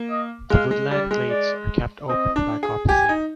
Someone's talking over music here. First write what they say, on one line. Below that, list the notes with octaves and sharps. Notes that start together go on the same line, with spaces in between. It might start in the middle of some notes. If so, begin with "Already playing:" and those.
The woodland glades are kept open by coppicing.
Already playing: A#3
D#5
G#3 F5
G#3
G3 D5
G#3
D5
C4 D#5
D4
G#4
G4 G#5
D#4